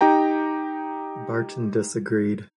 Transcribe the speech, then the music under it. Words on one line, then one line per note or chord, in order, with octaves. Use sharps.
Barton disagreed.
D#4 G4 G5 A#5